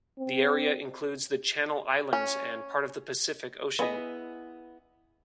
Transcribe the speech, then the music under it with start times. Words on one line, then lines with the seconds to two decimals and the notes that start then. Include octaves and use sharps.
The area includes the Channel Islands and part of the Pacific Ocean.
0.19 C4
2.13 C#4
3.79 B3 E4 G#4 B4 D#5